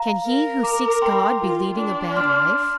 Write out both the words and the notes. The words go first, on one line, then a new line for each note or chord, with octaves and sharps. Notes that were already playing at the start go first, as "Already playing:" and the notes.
"Can he who seeks God be leading a bad life?"
Already playing: F5 A#5
A#4
A#5 D6
G5 C6
F4
D4
C6 F6